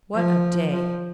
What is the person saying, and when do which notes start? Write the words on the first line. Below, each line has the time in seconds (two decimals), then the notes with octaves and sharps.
What a day!
0.14 F3
0.71 F3